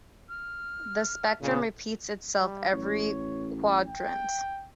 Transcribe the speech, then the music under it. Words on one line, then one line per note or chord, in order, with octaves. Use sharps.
The spectrum repeats itself every quadrant.
F6
A#2 C#3
G3
A1 C#5
G5